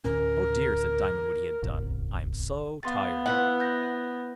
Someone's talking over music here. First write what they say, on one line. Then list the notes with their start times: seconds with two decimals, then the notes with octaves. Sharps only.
"Oh dear!" said Diamond when he had done, "I'm so tired!"
0.04 D2 A2 C#4 A#4
1.62 D1 G1 C2
2.83 B3 F5 C6 A6
3.26 E4 B4 C5 F#5
3.60 F#6 G6 A#6